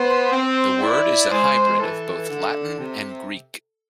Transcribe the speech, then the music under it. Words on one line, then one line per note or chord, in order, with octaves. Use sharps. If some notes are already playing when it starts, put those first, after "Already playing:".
The word is a hybrid of both Latin and Greek.
Already playing: B3 C5
C4
E4 D5
G#3 C5
E3 A4
D3
C3